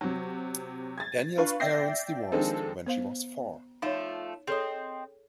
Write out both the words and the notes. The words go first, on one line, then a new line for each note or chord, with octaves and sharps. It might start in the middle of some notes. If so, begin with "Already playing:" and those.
Daniels' parents divorced when she was four.
C3 F#3
G#6 A6
D4 F4 B4 F5 C#6
D5 E5 G5 G6 A#6 C7
D#3 F3 G#3 C4 D4 A4
B3 C5 F5
F3 A3 D#4 C#5
C4 G#4 A4 C#5 D#5